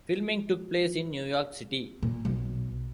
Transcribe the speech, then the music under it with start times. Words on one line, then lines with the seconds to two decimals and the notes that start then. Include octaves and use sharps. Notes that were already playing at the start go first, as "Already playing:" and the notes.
Filming took place in New York City.
2.03 A#2
2.25 B1